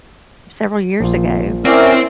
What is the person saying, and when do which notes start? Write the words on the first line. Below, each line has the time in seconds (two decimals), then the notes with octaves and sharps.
several years ago,
1.00 A#1 F4
1.65 C4 C#4 E4 A#4 D5 F#5